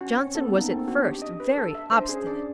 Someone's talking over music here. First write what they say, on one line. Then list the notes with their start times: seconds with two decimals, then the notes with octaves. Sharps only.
Johnson was at first very obstinate.
0.01 C#4 F#4
0.18 C4 C#5
0.35 B3 A4
0.53 A#3 D#4
0.70 C4 A4
0.87 D4 F#4
1.05 G4
1.22 D#5
1.40 B4
1.58 A4
1.75 E5
1.92 C5
1.97 D4
2.09 C#4 G#4
2.27 D4 D5